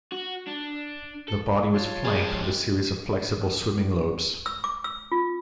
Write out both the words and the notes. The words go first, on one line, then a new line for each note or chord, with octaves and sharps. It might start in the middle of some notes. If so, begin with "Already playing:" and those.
The body was flanked with a series of flexible swimming lobes.
F#4
D4
A4
F#3 F4 C#5 A5 C6
F3 G#3 G4 G#4
E6
D6
E6
F4